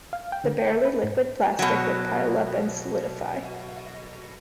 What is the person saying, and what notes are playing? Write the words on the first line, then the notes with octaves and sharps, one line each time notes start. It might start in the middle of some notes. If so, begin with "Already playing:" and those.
The barely liquid plastic would pile up and solidify.
F5
G5
D3
G5
E5
B4
G#2
B2 F#3